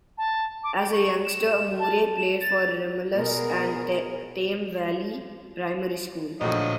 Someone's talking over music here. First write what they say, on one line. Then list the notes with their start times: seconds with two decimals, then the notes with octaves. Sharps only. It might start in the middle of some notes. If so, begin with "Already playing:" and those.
As a youngster, Moore played for Romulus and Tame Valley Primary School.
0.18 A5
0.64 D6
0.77 G5
0.92 C#6
1.25 E7
1.79 A5
2.17 E7
2.41 A6
3.15 B2 G#4 A#4
6.41 A#1 A2 D3 F3 F#3 D#5